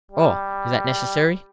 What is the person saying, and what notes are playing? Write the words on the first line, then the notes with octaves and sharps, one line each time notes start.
"Oh, is that necessary?"
G3